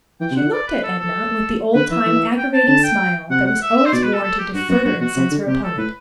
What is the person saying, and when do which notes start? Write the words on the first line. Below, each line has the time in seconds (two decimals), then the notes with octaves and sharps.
She looked at Edna with the old-time aggravating smile that was always warranted to further incense her opponent.
0.21 E3 G5
0.32 C3
0.37 D3 F#5
0.52 D5
0.68 B4
0.83 A4
0.98 A4
1.75 D3 B4
1.91 E3 E5
2.06 E3
2.37 G5
2.53 A5
2.68 D3 A5
2.83 G5
3.30 C3 F#5
3.47 F#5
3.62 E5
3.77 E5
3.86 C5
3.93 B2 D5
4.03 B4
4.13 A4
4.23 A4
4.39 G4
4.54 G2 F#4
4.69 F#2 F#4
4.85 G2 F#4
5.01 B2 F#4
5.17 C3
5.31 D3
5.47 C3 G4
5.63 A4
5.78 A2 B4